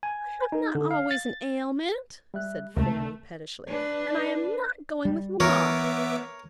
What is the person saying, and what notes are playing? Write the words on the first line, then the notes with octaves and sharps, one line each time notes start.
'I have not always an ailment,' said Fanny, pettishly; 'and I am not going with mamma.
G#5
D#4
D3
F5
A6
G3 E5 F#6
C#2 C3 A3 A#4
D4 B4
G3
E3 B3 A#4 C#5 E5 D6